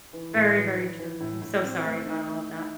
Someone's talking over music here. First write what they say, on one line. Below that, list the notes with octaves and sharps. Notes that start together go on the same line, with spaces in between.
Very, very true. I'm so sorry about all of that.
E3
A2
E3
E3
E3
A2
A2
C4
A3
D#4
A3
D#4